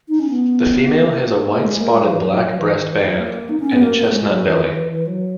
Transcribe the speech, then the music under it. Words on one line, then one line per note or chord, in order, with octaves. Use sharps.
The female has a white-spotted black breast band and a chestnut belly.
D#4
C#4
B3
B3
A#3
A#3
G#3
A#3
G#3
F#3
E3
F#3
F#3
E3
D#3
E3
G#3
F#3
A#3
D#4
C#4
B3
A#3
A#3
G#3
F#3
E3
D#3
E3
E3
F#3